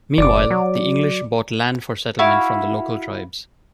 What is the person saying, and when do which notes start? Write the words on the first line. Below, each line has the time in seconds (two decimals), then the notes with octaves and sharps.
Meanwhile, the English bought land for settlement from the local tribes.
0.18 F#1 D5 D6
0.51 F#3
2.19 E4 F#4 F5 B5